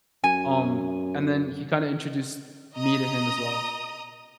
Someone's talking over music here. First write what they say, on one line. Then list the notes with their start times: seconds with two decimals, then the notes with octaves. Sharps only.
um, and then he kinda introduced me to him as well.
0.24 F#2 G#5
2.75 D#5 A#5 D#6